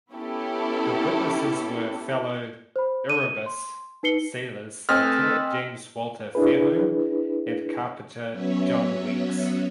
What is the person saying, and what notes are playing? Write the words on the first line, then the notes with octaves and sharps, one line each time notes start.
The witnesses were fellow "Erebus" sailors Lieutenant James Walter Fairholme and Carpenter John Weekes.
B3 C#4 E4 G4 A4
C5 B5
D#7
C6
D#4 B4 C7 C#7 G7
A3 C4 A4 B4 D#5 G#5 F6
D4 E4 G#4 B4
F#3 B3 C#4 C#5 E5